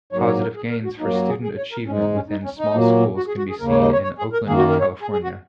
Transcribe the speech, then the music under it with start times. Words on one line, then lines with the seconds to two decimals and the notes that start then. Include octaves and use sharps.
Positive gains for student achievement within small schools can be seen in Oakland California.
0.12 G#2 F#3 A#3 C#5
0.27 C#5
0.41 A#4
0.56 G#4
0.70 A#4
0.84 F#4
0.99 F#2 F#3 A#3 D#4
1.14 F#4
1.28 G#4
1.43 G#4
1.57 C#5
1.72 A#4
1.86 G#2 C#4
1.90 G#3
2.00 D#4
2.15 C#4
2.30 D#4
2.44 C#4
2.59 D#4
2.74 A#2 F#3 A#3
3.17 F#4
3.28 G#4
3.38 F#4
3.50 G#4
3.60 D#2 C#3 A#3 A#4
3.71 C#5
3.82 D#5
3.93 C#5
4.03 C#5
4.18 G#4
4.33 A#4
4.47 F#2 D#3 A#3 G#4
4.58 F#4
4.69 A#4
4.80 C#5
5.02 G#4
5.12 G#4
5.23 F#4